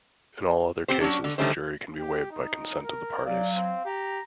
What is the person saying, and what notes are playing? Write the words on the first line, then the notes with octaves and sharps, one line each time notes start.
In all other cases, the jury can be waived by consent of the parties.
C4 G4 C5
F#3 C#4 D4
D3
D3 D#3 G3 A3 C#4 C5
G4
D#4
A#4
F#3 D5 F5
C4
G4 A#5